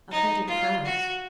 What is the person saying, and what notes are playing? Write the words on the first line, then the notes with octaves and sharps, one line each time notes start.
"A hundred crowns."
D#4
F4
F#4